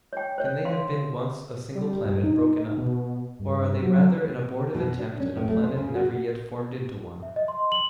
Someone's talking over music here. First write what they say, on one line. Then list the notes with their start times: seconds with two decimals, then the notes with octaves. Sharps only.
Can they have been once a single planet broken up? or are they rather an abortive attempt at a planet never yet formed into one?
0.13 C#5 G5
0.38 C5 C#5
0.65 F5 C6
1.75 G3
2.06 G2
2.24 D#4
2.78 B2
3.40 G2
3.82 F#3
4.75 B2
4.99 D4
5.20 C#4
5.36 A2
5.49 A3
5.64 C5
5.77 C#3
5.95 F#4
7.22 E5
7.36 D#5
7.48 C6
7.72 F#7